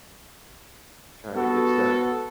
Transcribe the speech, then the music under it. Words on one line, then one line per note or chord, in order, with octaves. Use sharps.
kinda gets that
B3 F#4 A4